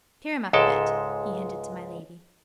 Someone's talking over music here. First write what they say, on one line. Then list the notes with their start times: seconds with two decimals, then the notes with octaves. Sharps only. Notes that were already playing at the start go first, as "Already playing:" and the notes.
"Cheer 'em up a bit!" he hinted to my Lady.
0.53 C#2 G#2 G#3 A4 G5 A5